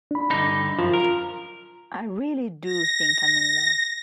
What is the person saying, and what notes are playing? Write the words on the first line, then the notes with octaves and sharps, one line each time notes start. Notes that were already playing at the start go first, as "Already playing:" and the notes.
I really do think I'm in love.
D4 B5
G2 D3 D#4
F#2 F3 F4
A#4
A#6